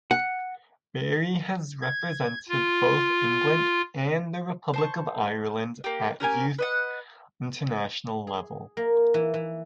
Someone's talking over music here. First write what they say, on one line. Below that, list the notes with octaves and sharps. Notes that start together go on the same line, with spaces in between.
Barry has represented both England and the Republic of Ireland at youth international level.
F#5
G#6
F4
C5 A5 C#6
A#3 G4
C#4 G4 A#4 G#5
B4 D#5 F#5
G#4
A#3
E3
E3